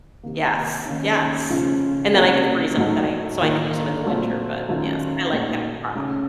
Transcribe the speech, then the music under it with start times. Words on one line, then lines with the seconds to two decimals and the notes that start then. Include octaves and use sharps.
Yes, yes, and then I can freeze 'em that I so I can use 'em in the winter, but yes, I like having crop.
0.23 C3 D#3 A#3
0.86 D#3 A#3 C#4
1.50 C#3 F3 A3 C#4 F4
2.13 C3 F#3 A#3 C#4 F#4
2.77 A2 F#3 A3 D#4
3.41 D#3 A#3 F4
4.05 A#2 F#3 A3 C4 F4
4.69 D#3 F#3 A3 C#4 F4
5.32 A#2 A3 D#4 F#4
5.95 C#3 A3 C#4